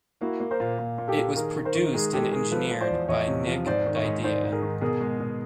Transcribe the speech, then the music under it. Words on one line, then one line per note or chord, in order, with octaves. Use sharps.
It was produced and engineered by Nick Didia.
A#3 E4 F#4
A#3
A#4 C5
A#2
A#2
A#2
G4 A4
A#3
D#3 G#4 A#4
D#3
A#4 C5
D#3
G#3 G#4 A#4
G#3 G4 A4
D#3 G#4 A#4
F3 A4 B4
F3
C5 D5
E2
E2 C#5 D#5
C3
F3
G#2 C5 D5
D#3
C#5 D#5
G#2
G#2 C5 D5
G#2
G#4 A#4
D#3
B2 G#4 A#4
G#3
B2